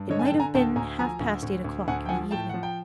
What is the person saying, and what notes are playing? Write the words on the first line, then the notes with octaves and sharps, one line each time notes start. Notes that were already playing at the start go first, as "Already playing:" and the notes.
It might have been half-past eight o'clock in the evening.
Already playing: G2
D3 C#5 D#5
G#5
G5 A5
D3
G#5 A#5
D2 G5 A5
D2 G#5 A#5
F3 G#5 A#5
D2
D2
D2
D2 F#5 G#5
G5
F3 F#5 G#5
A2 G5 A5
F3 F#5
G5